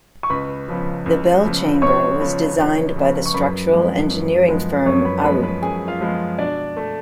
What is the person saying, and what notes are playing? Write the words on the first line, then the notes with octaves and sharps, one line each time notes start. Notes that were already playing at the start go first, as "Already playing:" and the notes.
The bell chamber was designed by the structural engineering firm Arup.
C#6
C#2 B4 B5
C#3 F3 B3
C#2
C#3 F3 B3
C#2 C#5 C#6
C#3 F3 B3
C#2
C#3 F3 B3
C#6
F#2 B4 B5
F3 G#3 B3
F#2
F3 G#3 B3
F#2 C#5 C#6
B4 B5
F3 G#3 B3 B4 B5
B4 B5
F#2 G#4 G#5
F4 F5
F3 G#3 B3
B2 D4 D5
A3